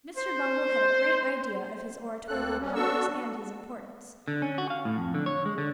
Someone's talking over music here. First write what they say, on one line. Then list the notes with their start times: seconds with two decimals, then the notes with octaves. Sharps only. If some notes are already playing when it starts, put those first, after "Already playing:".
Mr. Bumble had a great idea of his oratorical powers and his importance.
0.17 C5
2.28 D2 A#3 C4 A4 F#6
2.59 G3 C#4
2.75 B3 D4 F#4 A4 C#6 E6
4.28 D3
4.42 C#4
4.58 F#4
4.70 F5
4.85 A2
4.98 F2
5.15 D3
5.26 C#5
5.46 G#3
5.58 D3